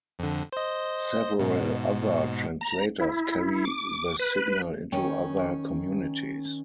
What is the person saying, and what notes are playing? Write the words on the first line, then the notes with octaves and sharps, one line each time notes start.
Several other translators carry the signal into other communities.
F2 D3
C5 D#5
G#2 B2
A#5
E4
D6
B4
D#3 C#4 G5